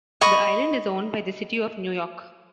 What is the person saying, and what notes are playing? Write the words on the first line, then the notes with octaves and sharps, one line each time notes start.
The island is owned by the city of New York.
D#5 B5 C#6